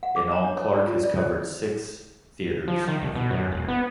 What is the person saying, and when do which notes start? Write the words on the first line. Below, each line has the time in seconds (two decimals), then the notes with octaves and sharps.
In all Clark has covered six theatres of war.
0.03 F#5
0.16 D6
0.32 A#5
0.44 D4
0.57 C#5
0.75 D5
0.87 F4
1.03 D5
1.18 C5
2.68 F3
2.88 D#3
3.02 C2
3.15 B2
3.30 F#2
3.52 E1
3.68 B3